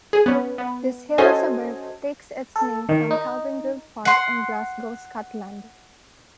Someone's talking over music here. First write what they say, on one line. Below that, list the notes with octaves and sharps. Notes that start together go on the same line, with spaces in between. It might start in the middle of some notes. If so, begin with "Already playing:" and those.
This hilly suburb takes its name from Kelvingrove Park in Glasgow, Scotland.
G#4
B3 C#4
B3
C#4 F#4 A4 C5 D#5 G#5
A4
D#3
D#4
F#5 C6